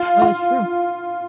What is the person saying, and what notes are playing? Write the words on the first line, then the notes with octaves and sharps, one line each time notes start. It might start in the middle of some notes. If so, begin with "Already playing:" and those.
No, that's true.
Already playing: F4
F4